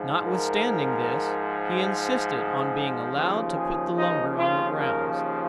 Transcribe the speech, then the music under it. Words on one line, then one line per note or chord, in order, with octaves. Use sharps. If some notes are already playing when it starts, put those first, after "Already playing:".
Notwithstanding this, he insisted on being allowed to put the lumber on the grounds.
Already playing: G#2 F3
A#4
G#4
D#2 C#3 F3
G#4
D#4
F4
A#4